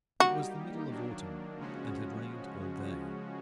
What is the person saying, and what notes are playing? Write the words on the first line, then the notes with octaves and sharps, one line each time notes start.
It was the middle of autumn, and had rained all day.
G3 A#3 D#4 F#4 G4
D#3 F#3 A#3 D4
C#3 F3 G#3 C#4 F#4